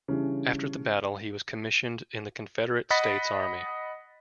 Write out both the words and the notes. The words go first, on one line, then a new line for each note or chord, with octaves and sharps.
After the battle, he was commissioned in the Confederate States Army.
C#3 E3 G3 D4
D#5 F#5 B5 D#6 A6 B6